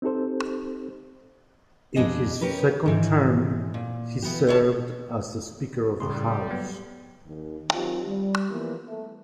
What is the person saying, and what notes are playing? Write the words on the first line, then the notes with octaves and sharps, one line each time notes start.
In his second term, he served as the Speaker of the House.
C4 D#4 G4 A4 C5
F2 D4 G4 G#4 D#5
C#4 G4 A#4 B4
G#2 E3
A#2
E3 B3 F#4 G4
F4 C#5 D#5 A5
A2 C#3 G3 C6
F#3 B3
D#2
D#3 F#3 C4 F4 G4
G3
E3 F3 A#3 B3
A3